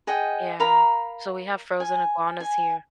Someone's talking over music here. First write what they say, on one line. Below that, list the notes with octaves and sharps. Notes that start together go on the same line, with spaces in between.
Yeah, so we have frozen iguanas here.
G#4 D#5 F#5 G5
A#4 F5 A#5 B5
G#5
G#5